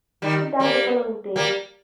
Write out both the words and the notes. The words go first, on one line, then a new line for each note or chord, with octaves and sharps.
He died the following day.
D#3 G3
G3 A#3
G3 A#3